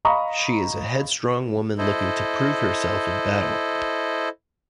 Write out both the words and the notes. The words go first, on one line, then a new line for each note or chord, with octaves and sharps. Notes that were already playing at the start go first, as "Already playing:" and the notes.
She is a headstrong woman looking to prove herself in battle.
D#5 F5 A#5 B5 C#6 D#6
E4 A4 C5 D#5